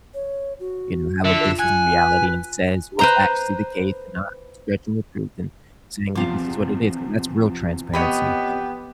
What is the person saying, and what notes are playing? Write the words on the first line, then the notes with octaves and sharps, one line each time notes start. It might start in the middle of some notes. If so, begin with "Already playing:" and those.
you know, have a basis in reality and says what's actually the case and not stretching the truth and saying like, "This is what it is," 'cause that's real transparency.
C#5
F#4
D3 F4 E5
F#5 G#5
B4
B4 C5 A#5
E2 C3 F3 F4 D6
B3 G4 C#5 D#5 B5